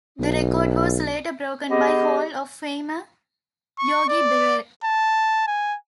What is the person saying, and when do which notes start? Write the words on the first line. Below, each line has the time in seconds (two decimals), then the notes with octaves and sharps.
The record was later broken by Hall of Famer Yogi Berra.
0.20 B1
1.70 B3 G4 G#4 D#5
3.79 C#6
4.09 D5
4.84 A5
5.47 G#5